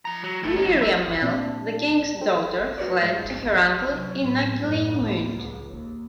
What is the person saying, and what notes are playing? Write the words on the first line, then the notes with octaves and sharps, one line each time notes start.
Miriamele, the king's daughter, fled to her uncle in Naglimund.
F3 A#5
F#3
A2 A3
C#4 D#4
A#2 F#3
E5
A#2 C4 D4
A4 C5 G5
F#4 A#4 B4 C#5 D5
G#2
C3 F#3
A2
F#2 A2
D#2
C#2
D#2